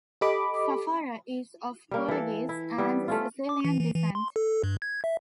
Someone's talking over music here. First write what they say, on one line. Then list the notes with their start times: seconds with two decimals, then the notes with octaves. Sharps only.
Fafara is of Portuguese and Sicilian descent.
0.21 G4 A4 D#5 B5 D6
1.91 G3 A#3
2.08 E3 A4
2.49 E4
2.78 G3 B3 E4
3.08 A3 C#4 F4
3.49 D6
3.65 E3
3.79 E3
3.95 E3
4.15 C6
4.36 A4
4.64 G2
4.82 G#6
5.04 E5